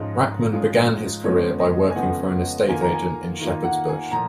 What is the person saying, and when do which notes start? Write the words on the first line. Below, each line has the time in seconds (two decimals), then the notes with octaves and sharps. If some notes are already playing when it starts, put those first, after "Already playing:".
Rachman began his career by working for an estate agent in Shepherd's Bush.
Already playing: G#2 F3 G#3 C#4 F4 D#5
0.52 G#2 F3 G#3 C#4 F4
1.24 F2 C#3 F3 G#3 B3 C#5
1.59 D#5
1.90 G#5
1.96 F2 C#3 F3 G#3 B3 F#5
2.68 D#3 A#3 F4 G#5
2.81 A#5
2.94 G#5
3.40 D#3 A#3 F4
3.64 F#5
3.88 G#5
4.11 A#2 F3 A#5